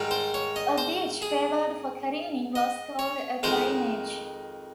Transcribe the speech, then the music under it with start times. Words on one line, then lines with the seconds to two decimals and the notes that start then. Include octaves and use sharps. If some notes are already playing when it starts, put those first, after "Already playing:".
A beach favoured for careening was called a careenage.
Already playing: G#2 D#3 G3
0.11 C5
0.34 C#5
0.56 D#5
0.78 C5
1.22 G#4
2.55 D#5
2.99 C#5
3.43 F2 D#3 G#3 C5